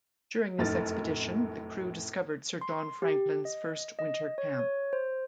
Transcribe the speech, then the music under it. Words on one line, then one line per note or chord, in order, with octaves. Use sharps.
During this expedition, the crew discovered Sir John Franklin's first winter camp.
F1 F#2 A2 D#4 F6 A6
C6
G4
D#5
D#5
C#5
C#5
C5